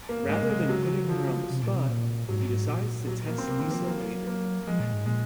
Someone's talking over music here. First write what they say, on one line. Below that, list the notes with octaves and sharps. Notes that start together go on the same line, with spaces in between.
Rather than putting her on the spot, he decides to test Lisa later.
A#3
F#2
G#2 G#3
C3
G#3
C3
C#3 F#3
F3
C3
A#2
C3
A#2
G#2 F#3
G#2
A#2
F#3
A#3
C4
C3 A#3
D#3 C4
A#3
F3
F#3 A#3
A#3
F3 G#3
A#2
G#2
A#2 G#3